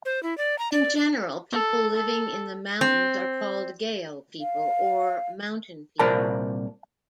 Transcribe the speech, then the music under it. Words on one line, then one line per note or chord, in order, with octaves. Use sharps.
In general people living in the mountains are called gayo people or mountain people.
C5
E4
D5
A#5
D5
D4
A4
A4
C4
F5
C2 A#2 A#4 C5 D5 A5